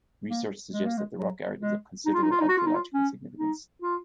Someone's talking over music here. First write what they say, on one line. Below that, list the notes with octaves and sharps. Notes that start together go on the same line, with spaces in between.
Research suggests that the rock art is of considerable archaeological significance.
A#3
G#3
A#3
G#3
F#3
G#3
D#4
F4
D#4
F4
D#4
F#4
F4
D#4
F4
C#4
D#4
F4